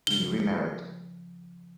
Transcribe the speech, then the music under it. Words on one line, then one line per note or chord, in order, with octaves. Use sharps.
He remarried.
C#3 F3 G7